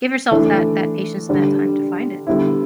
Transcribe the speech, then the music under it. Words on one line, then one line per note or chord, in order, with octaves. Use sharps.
give yourself that that patience and that time to find it.
E3 A3 D4
D3 G3 D4
D3 G3 B3 E4